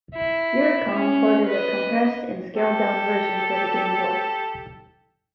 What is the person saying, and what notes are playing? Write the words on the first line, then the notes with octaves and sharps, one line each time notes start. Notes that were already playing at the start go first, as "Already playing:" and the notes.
Eurocom ported a compressed and scaled down version for the Game Boy.
E4
C#4
B4 D#5
G4 A4